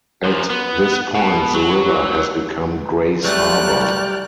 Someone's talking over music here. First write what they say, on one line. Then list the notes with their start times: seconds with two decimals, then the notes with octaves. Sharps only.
At this point the river has become Grays Harbor.
0.24 F#2 F3
0.50 B3
1.15 B2
1.54 F#3
3.24 F#3 G3 A3 D5 G5 F6 F#6